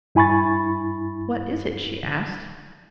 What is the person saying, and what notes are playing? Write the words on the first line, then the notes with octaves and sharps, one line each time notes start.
"What is it?" she asked.
G2 E4 G#5 B5 C#6 A6